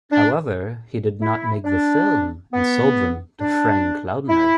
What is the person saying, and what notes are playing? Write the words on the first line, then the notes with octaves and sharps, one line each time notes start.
However he did not make the film and sold them to Frank Laundner.
D4
E4
D4
B3
D4
E4